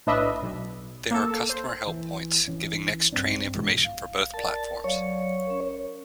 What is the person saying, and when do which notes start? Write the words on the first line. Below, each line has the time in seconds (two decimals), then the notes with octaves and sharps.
There are customer help points, giving next train information for both platforms.
0.07 A2 D4 B4 D#5 E5
0.43 B1
1.11 A#3 A4
1.49 C5
1.87 E3
2.48 E3 C#4
3.12 G2 C4 D4
3.55 G#2 B2 E3 G#3
3.84 F5
4.34 A#4 D5 A5
4.84 F#3 C#5 D5 F5
5.46 C#4 A#4